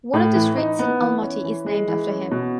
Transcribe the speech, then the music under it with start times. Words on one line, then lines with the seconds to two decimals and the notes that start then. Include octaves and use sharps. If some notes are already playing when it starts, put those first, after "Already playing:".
One of the streets in Almaty is named after him.
0.13 A2
0.35 E3
0.57 D#4
0.79 B3
1.01 E3
1.22 C#4
1.44 E3
1.66 G#3
1.88 E3
2.09 C#4
2.31 B2